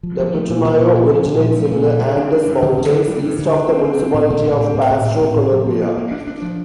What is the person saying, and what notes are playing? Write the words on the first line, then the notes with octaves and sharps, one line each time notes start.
The Putumayo originates in the Andes Mountains east of the municipality of Pasto, Colombia.
F3
F3
A3
A#2
A#2
A#2
F3
A#2
A#2
F3
A3
A#2
G3
G3
D4
D4
G2
D3
D3
D4
G3
G2
D3
D4
C4
C4
C4
A2
A2
A2
C4
A2
A2
C4
A2
A2
F3
F3
A#3
A#3
D4
D4
F3